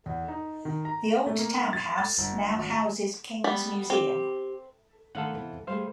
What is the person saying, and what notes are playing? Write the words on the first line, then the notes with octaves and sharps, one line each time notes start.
The Old Town House now houses King's Museum.
E2
D#4
D#3
A#5
A3
A#3
A6
A6
G1
G#1
A#5
G3 B3 B5
C4 G4
D3 D#3 A3 A4 F5 F#5
C3 E3 B3
G3 A3 G#4 C5 F5